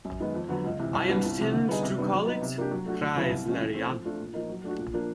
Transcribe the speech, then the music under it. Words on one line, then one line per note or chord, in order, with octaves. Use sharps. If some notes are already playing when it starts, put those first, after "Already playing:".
I intend to call it Kreisleriana.
F#2
D#3 G#3 B3
F2
D3 F#3 B3
C#2
C3 E3
C2
A#2 G3 B3 D4
C2
C3 F3
D3
G3 B3 D#4 G#4
C3
D#3 G3 B3 D4
F#3
B3 D#4
C3
F3 A#3 D4 G4
F#3
A3 D4 F#4
D2
C#3 F#3 B3 E4
C2
A#2 F3 G#3 C#4
E3
A3 C4
F3
A3 D4 F4
A#2
F3 A#3 D#4
F#3
A3 D4 F#4
A#2
F3 A#3 D4